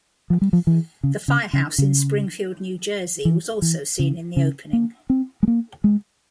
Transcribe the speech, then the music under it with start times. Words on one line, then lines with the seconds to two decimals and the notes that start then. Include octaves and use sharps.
The firehouse in Springfield, New Jersey was also seen in the opening.
0.30 F3
0.41 G3
0.53 F3
0.67 E3
1.03 C#3
1.28 C#3
1.53 C#3
1.78 C#3
3.25 E3
3.62 E3
3.99 C#3
4.37 C#3
4.73 A#3
5.10 C4
5.43 G#3
5.48 A#3
5.84 G#3